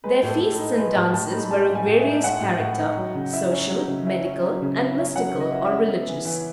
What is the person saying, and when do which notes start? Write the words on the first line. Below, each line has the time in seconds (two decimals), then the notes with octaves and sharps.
Their feasts and dances were of various character, social, medical, and mystical or religious.
0.04 G#3 B4
0.23 A2
0.29 A4
0.41 A2
0.52 A4
0.59 D#4
0.78 G#3 B4
0.95 A2 A5
1.13 A2 A5
1.31 D#4 B5
1.51 G#3 A5
1.69 A2
1.75 G#5
1.87 A2
1.99 E5
2.05 D#4
2.24 G#3 F#5
2.42 A2
2.59 A2
2.79 D#4
2.97 F#3
3.15 C#3
3.33 E4
3.51 C#4
3.70 F#3
3.87 C#3
4.06 E4
4.24 C#4
4.43 F#3
4.62 C#3
4.79 E4
4.98 C#4
5.16 F#3 F#5
5.35 C#3
5.40 D#5
5.52 E4
5.65 E5
5.71 C#4
5.89 B3
6.07 E3
6.25 E3